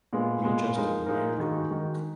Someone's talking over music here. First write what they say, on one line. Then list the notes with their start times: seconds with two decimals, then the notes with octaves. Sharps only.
We just admired her work.
0.13 A#2 G#3 B3
0.44 A#2 G#3 B3
0.75 F3 G#3 D#4 A#4
1.06 F3 G#3 D#4 A#4
1.38 D#3 G#3 D#4 F#4
1.70 D#3 G#3 D#4 F#4